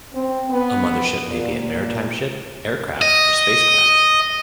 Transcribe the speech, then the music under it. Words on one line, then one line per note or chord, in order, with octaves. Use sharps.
A mother ship may be a maritime ship, aircraft, or spacecraft.
C4
B3
A#2
D#5